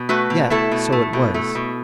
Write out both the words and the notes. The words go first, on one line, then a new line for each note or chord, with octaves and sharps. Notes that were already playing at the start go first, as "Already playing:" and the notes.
Yet so it was.
Already playing: B2
A3 F#4 B4
B2
A3 E4 A4
B2
A3
B2
A3
B2